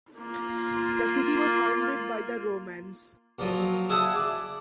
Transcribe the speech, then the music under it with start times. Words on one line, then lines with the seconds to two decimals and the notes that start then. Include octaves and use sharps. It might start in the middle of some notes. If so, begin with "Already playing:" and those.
The city was founded by the Romans.
0.18 A#3 F4
3.39 A#2 F3 F#3
3.89 E4 G#4 E5 F#5 A5
4.16 D5